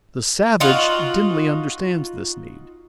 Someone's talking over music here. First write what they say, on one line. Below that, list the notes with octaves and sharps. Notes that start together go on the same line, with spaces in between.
The savage dimly understands this need.
D#4 F4 F#4